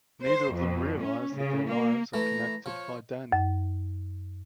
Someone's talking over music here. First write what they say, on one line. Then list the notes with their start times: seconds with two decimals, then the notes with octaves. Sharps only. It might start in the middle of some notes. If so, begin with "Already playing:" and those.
Neither of them realize that their lives are connected by Danny.
0.24 C5
0.54 F2
0.99 C#4
1.35 C#3
1.67 A#3
2.14 E3 A3 A#5
2.66 F3 C#5
3.32 F#2